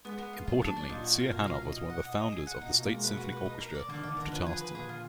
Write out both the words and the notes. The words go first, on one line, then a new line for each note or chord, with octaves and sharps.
Importantly, Cihanov was one of the founders of the State Symphony Orchestra of Tatarstan.
G#3 B3
B3
F4
F#3 F4
D4
D4
A#2 D#4
F#4
F5
B2 A#4
F5
D#4
D#5
F#5
D#5
D#5
G#4
F#5
A#2 D#4
B2
D#4
A#3
G#3 F#4
B2 B4
F#4
B4
D#4
A#4
D5
D3 A#3
D#3
D3 D5
D#3
D3 A#4
F3 B4
G#4
B4
A#2 G#4
F4